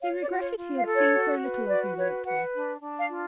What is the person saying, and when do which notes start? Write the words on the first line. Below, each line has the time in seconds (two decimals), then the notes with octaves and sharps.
He regretted he had seen so little of you lately.
0.01 C#5 F5
0.21 D5
0.29 F4
0.39 C#5
0.57 F4
0.76 F5
0.86 A4
0.95 C#5
1.14 F#4
1.41 B4
1.69 F#4 D5
1.97 B4 C#5
2.25 B4 F#5
2.54 D4
2.81 D4
3.00 F5
3.09 F4